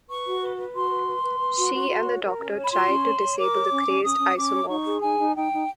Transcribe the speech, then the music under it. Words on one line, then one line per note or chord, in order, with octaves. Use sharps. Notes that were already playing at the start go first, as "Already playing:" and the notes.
She and the Doctor try to disable the crazed isomorph.
B4 C#6
F#4
B4
B4
F#4 C6
B4
B4
B4
B4
F#4
F#4
F#4
C#5
A#4
C#4
C#5
B5
F4 C6
C#4
C#5
C#5
A#4 D6
C#5
C#4
C#4
C#4 D#6
C#4
C#4 D6
C#5
D#4 C#6
G#4
D#4 G#5
D#4
D#4 G5
D#4